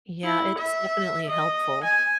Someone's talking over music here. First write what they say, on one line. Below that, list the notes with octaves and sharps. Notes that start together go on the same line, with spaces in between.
Yeah, it's definitely helpful.
E4
E5
D#5
G#5